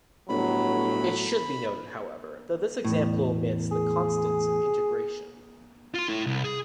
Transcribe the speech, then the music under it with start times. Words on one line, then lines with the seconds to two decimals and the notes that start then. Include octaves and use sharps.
It should be noted, however, that this example omits the constants of integration.
0.29 G1 A2 F#3 B5
2.84 E2 A2
3.71 G#4
5.94 F4 C6
6.08 E4 A4
6.26 C2
6.44 G#4